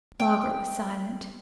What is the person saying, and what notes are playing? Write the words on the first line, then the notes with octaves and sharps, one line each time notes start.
Margaret was silent.
G5